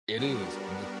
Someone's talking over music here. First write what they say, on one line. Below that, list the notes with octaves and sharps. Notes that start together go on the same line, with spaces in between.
it is, and l
G3 B3 D4 F#4 A#4